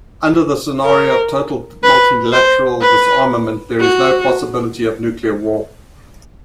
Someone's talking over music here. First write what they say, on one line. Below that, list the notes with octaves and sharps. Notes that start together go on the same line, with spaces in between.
Under the scenario of total multilateral disarmament, there is no possibility of nuclear war.
A#4
B4
C5
B4
F#4